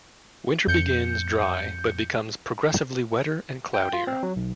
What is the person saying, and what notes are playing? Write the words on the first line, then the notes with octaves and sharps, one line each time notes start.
Winter begins dry but becomes progressively wetter and cloudier.
F2 G6 C#7
G5
F4
C4
F#3
B1